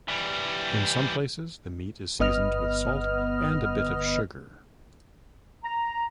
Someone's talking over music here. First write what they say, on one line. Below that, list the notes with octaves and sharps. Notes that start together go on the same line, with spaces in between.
In some places, the meat is seasoned with salt and a bit of sugar.
E3 G3
G1 B3 D#5 F6
A#5